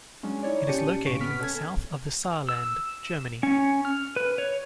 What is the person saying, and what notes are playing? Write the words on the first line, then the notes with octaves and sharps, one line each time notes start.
It is located in the south of the Saarland, Germany.
F#3 G#3 C#4 D4
D#4 E4 C#5 D5
A#2 C#4 G4 A5 C#7 D#7
A1 A2 C#3 C#6 D7
B3 F6 B6
C#4 A4 G#6
E6
C#4
F6
B4
C#5